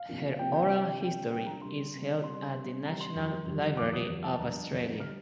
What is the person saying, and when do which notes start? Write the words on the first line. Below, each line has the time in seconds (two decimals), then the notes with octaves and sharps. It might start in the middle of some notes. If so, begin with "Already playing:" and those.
Her oral history is held at the National Library of Australia.
Already playing: F5
0.08 C3 F3 A#3 D4
0.39 C3 F3 A#3 D4 G5
0.54 G5
0.69 C3 G3 D4
1.00 C3 G3 D4 G5
1.31 C3 G3 D4 G5
1.46 A#5
1.62 C3 G3 D4 C6
1.92 C3 G3 D4
2.24 C3 G3 D4 C6
2.55 C3 G3 D4
2.85 C3 G3 D4 A#5
3.01 C6
3.15 F2 D#3 G3
3.46 F2 D#3 G3
3.77 F2 D#3 G3 D6
3.93 D#6
4.09 F2 D#3 G3
4.23 A5
4.39 F2 D3 G3 D4 A#5
4.70 F2 D3 G3 D4
5.00 D3 G3 D4 F6